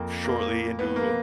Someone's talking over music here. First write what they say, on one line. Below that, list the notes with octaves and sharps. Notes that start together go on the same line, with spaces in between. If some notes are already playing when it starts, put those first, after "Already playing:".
shortly into
Already playing: F2 A#3
A#3
B3
A#3